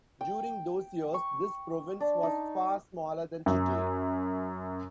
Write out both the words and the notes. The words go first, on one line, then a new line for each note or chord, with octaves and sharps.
During those years this province was far smaller than today.
G5
C#6
D4
D#4
F#2